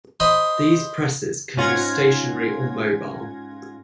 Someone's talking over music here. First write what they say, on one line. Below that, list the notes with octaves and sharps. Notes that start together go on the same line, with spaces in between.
These presses can be stationary or mobile.
C5 D#5 B5
G#2 C#4 F4 F#5 G#6 A#6